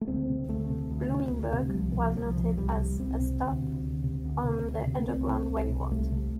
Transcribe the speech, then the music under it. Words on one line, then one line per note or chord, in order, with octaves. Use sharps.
Bloomingburg was noted as a "stop" on the Underground Railroad.
A3
D2 C4
C3
D2 A3
C3
D2
C3
D2
C3
G3
C2 F3
C3
C2 F3
C3
C2 G3
C3
C2 C4
C3
D2
C3
D2
C3
D2
C3
D2
C3
A3
C2 C4
C3
C2
C3
C2 A3
C3